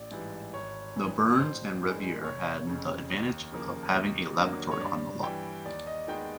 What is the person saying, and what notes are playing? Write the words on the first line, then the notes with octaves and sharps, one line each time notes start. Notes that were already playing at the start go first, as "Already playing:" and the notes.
The Burns and Revier had the advantage of having a laboratory on the lot.
Already playing: A1 D5
G#2 E3 G3
G#1 C#5
G2 E3
A1 C5
G2 E3 G#3
F1 C#5
F2 C#3
D#2
C#3 F3 A#3
D#2
D3 F#3 A#3
C#5
G2 D5
E3 G3 G5
D#2 D5
D#5
D#3 G#3 B3 G5